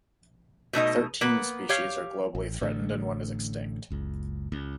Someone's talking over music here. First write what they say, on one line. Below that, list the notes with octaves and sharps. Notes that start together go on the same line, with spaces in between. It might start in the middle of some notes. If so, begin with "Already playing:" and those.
Thirteen species are globally threatened and one is extinct.
B2 A3 D#4 D#5
A#3 B3 B4
G4 C#5 F5
A1
A1 A2 D3
F#1 C#2
C#2